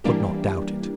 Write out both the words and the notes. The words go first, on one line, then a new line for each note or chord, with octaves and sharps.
I could not doubt it.
E3 G3 A#3 D4 G4